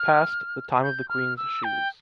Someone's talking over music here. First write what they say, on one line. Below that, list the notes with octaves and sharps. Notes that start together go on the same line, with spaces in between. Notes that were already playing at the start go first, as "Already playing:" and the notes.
Past, the time of the queen's shoes.
Already playing: F6
G6
F6
E6
G5